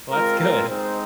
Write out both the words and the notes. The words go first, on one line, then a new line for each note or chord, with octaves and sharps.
well, that's good.
G#3 C4 F4 A#4
A#4
G#3 C4 D#4 C5